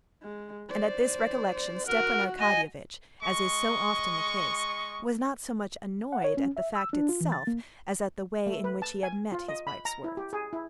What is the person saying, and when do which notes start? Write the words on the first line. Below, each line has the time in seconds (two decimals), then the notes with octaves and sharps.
And at this recollection, Stepan Arkadyevitch, as is so often the case, was not so much annoyed at the fact itself as at the way in which he had met his wife's words.
0.22 G#3
0.69 C5 D5
1.88 F#4 A#4 F#5
2.40 D#5 G#5
3.22 G#3 D#5 C#6
6.12 F#5
6.24 C#5
6.37 C#4
6.57 E5
6.76 E6
6.93 D4
7.09 F4
7.21 E3
7.32 A6
7.47 A#3
8.47 A3
8.64 B4
8.82 A5
9.03 G#5
9.32 F4
9.48 D#5
9.67 B5
9.85 A#5
10.04 E4
10.17 G4
10.33 G#4
10.53 E4